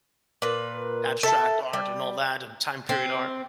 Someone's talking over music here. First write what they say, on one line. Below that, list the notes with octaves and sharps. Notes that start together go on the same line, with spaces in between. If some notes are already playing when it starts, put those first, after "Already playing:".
abstract art and all that and time period art.
A#2 B4
A4 E5 A5
G3
C4